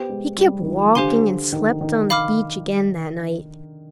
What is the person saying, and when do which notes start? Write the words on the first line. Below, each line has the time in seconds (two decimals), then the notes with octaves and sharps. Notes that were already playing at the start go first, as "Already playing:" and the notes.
He kept walking and slept on the beach again that night.
Already playing: B3 G4 C5 G5
0.09 G#3
0.38 G3
0.62 D#3
0.67 F3
0.95 D3 G4 C5 F5 G#5 C6
1.52 D#3
1.81 D#3
2.10 F5 B5 D6 F6